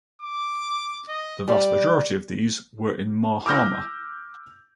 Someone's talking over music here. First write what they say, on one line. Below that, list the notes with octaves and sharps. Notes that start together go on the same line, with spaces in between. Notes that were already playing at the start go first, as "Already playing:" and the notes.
The vast majority of these were in Mahama.
D6
D#5
G3 D6
D6 E6 F6 G6 A#6